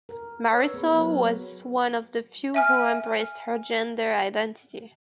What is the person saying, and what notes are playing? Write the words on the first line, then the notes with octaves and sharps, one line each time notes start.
Marisol was one of the few who embraced her gender identity.
A#4
B4 C#5 E6
B3 G#4 A#4 B5
F#3 B3 F#4 A#4 B4
E5 G#5 F6